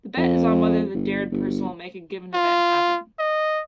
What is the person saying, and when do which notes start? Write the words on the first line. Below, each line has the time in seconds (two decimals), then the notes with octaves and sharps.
The bet is on whether the "dared" person will make a given event happen.
0.17 F2
0.94 G1
1.31 G1
2.34 F4
3.19 D#5